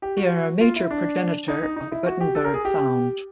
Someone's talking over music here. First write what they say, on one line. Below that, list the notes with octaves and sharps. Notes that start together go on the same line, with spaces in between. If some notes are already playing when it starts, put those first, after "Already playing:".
They are a major progenitor of the Gothenburg sound.
G4
F#4
F4
E4
D4
D#4
D#4
D#4
E4
F#4
G4
A4
A#4
G#4
G4